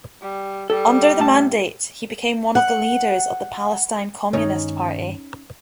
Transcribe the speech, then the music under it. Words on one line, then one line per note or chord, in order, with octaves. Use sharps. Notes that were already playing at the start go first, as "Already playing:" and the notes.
Under the Mandate he became one of the leaders of the Palestine Communist Party.
G3
G3 A4
A2 A5
F#5
G2 D#3 G#3 C#4 D#4